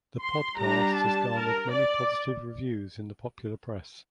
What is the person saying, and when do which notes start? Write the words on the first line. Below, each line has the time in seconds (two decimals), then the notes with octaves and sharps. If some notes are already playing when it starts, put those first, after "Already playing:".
The podcast has garnered many positive reviews in the popular press.
0.21 C6
0.58 G3 D4 A#5
0.96 A5
1.34 A#4
1.72 D5